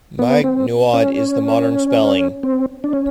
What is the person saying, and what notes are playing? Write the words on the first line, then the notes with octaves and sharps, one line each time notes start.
"Maigh Nuad" is the modern spelling.
B3
C4
C#4
C4
D4
C#4